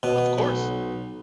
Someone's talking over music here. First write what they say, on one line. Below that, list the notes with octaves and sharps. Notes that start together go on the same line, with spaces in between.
Of course,
B2
B1